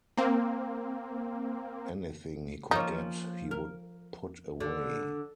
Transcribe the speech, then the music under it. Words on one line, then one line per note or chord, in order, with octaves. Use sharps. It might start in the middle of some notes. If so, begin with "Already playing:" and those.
Anything he could get he would put away.
A#3 C4
F3 A#3 C#4 D#4
A#4
D3